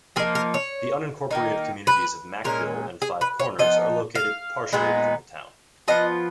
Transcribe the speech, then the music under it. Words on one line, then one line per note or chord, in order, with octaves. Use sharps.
The unincorporated communities of Mackville and Five Corners are located partially within the town.
F3 A#3 D#4 G#4
A#4
C#5
D#3 A#3 D#4
B4
A#2 G#3 C#4 A#4
G#4
B4
C#5
F3 B3 D#4 D#5
F5
A#2 G#3 B3 D#4
F3 B3 F4 D#5